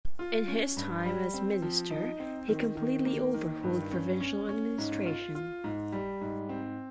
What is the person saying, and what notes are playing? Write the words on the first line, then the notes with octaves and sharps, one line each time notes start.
In his time as minister, he completely overhauled provincial administration.
F4
C#4
G2
G3
C4
F3
D#4
C4
D#3
D#3
A#3
D#3
G2
C#4
C#4
C#4
G#2
F4
F4
G#2
G3
G#2
C4